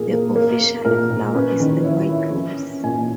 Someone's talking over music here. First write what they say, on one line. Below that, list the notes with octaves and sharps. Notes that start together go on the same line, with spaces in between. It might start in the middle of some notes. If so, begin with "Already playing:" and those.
The official flower is the white rose.
Already playing: A#2 A#3 G#4
A#3
A#3 A#4
A#3
A#2 A#4
A#2
C#4 B4
D#3
E4 C#5
E4
C#4
C#4
A#2 G#5